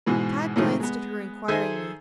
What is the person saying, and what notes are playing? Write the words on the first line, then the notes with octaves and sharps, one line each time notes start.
Tad glanced at her inquiringly.
G#2 B2 E3 G#3
A2 C3 D#3 F3 G#3 A3
G#3 B3
D#3 G#4 A4 C5 E5 G#5